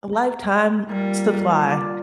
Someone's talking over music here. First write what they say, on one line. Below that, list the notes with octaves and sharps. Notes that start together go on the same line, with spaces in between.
A lifetime supply.
A#5
A#2 G3 A#4
F4 D5